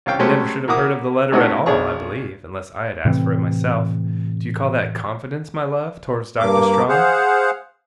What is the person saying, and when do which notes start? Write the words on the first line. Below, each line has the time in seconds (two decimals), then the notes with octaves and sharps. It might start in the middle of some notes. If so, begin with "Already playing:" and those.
We never should have heard of the letter at all, I believe, unless I had asked for it myself. Do you call that confidence, my love, towards Doctor Strong?
0.06 C2 C#4 F5 G5
0.19 F#3 G#3 A3 C#4 G4 C5
0.68 A#3 E4 F#4 D6 D#6
1.32 C3 A3 C#4 D#4 E4 F#4
1.66 B1 D4 G#4 C#5 C#6
3.05 A2 C3 E3 C4
6.39 G2 A#3 D6
6.89 G#4 C5 F5 F#5